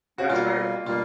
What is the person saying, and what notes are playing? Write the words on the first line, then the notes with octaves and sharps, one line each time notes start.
That's right.
F#4
B2 G3 A#3 F4
B2 G3 A#3 F4